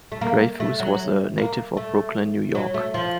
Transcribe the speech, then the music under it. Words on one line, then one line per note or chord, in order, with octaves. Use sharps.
Dreyfuss was a native of Brooklyn, New York.
A3
A#3
A3
F#3
A#3
A3
F#3
A3
F3